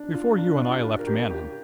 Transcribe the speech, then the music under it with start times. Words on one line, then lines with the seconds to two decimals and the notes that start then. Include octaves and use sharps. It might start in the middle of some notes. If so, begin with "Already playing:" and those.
Before you and I left Manon.
Already playing: D4
0.14 F4
0.38 D4
0.61 F4
0.76 G4
0.83 F4
0.99 A#4
1.07 G4
1.30 G4